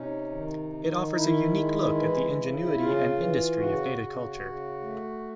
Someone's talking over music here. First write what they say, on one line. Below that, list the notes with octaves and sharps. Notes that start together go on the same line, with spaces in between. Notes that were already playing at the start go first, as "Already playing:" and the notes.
It offers a unique look at the ingenuity and industry of native culture.
Already playing: C3 C#4 D#4
D#3
D#3
D#3 E4
G#3
E3
C#3
C#3 F4
E3
C#3 F#4
C#3
C#3
A3